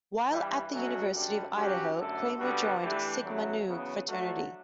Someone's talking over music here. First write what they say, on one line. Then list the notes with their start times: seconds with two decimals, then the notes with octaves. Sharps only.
While at the University of Idaho, Kramer joined Sigma Nu fraternity.
0.29 G2 E3 G3
0.71 B2 F#3 A3 C#4
1.13 F#2 D3 G3
1.56 G2 F#3 C#4 G4
1.98 F#2 D3 A3 D4 A4
2.40 D3 G3 B3 D4 F#4
2.82 E3 A3 D4 G4
3.23 E2 C#3 F#3 A3
3.66 E2 C#3 F#3 B3
4.08 F#3 A3 D4 F#4